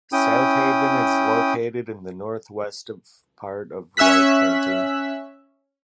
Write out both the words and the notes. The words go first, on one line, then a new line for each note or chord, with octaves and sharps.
South Haven is located in the northwest part of Wright County.
C#4 E4 G5 D#6
C#4 E5 E6 F#6 B6